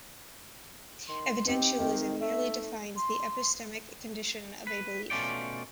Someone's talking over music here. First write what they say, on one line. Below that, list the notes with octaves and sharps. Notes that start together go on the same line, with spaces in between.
Evidentialism merely defines the epistemic condition of a belief.
D#3 C6
C4 D#4 G4
D#3 C4 D#4
A3 E5
C6
B4
B2 A3 C#4 F4 D5 G5